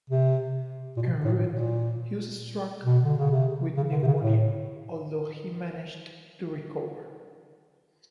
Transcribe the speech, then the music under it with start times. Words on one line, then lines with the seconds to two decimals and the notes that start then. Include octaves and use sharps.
En route he was struck with pneumonia, although he managed to recover.
0.10 C3
0.96 A#2
1.02 B2
1.25 A2
1.48 A#2
2.84 B2
3.03 D3
3.17 C#3
3.31 C3
3.77 C#3
3.91 D3
4.02 C3
4.07 C#3
4.22 A2